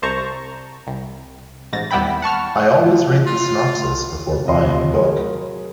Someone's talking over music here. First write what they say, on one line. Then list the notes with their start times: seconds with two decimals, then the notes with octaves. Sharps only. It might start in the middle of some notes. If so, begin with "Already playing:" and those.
I always read the synopsis before buying a book.
0.02 C2 C5 A5 A#5 C#6
0.87 C2
1.73 A1 G#2 A6 A#6
1.91 D#2 G3 B3 E4 G5 B5
2.22 F#5 A5 C#6 F6
3.26 F4
4.45 C3 F4 D#5 C6
4.94 F#3 G#4 A#4